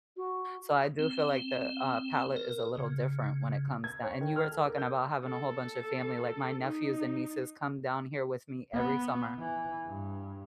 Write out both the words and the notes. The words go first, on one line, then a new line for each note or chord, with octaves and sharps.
So, I do feel like the, uh, palate is a little different when it comes down and you were talking about having a whole bunch of family, like, my nephews and nieces come down here with me every summer.
F#4
C4
A#4
C#3
G#6
C#5
D#3
F6
A4
A#4
G6
A4
D#4
B3
E3
G2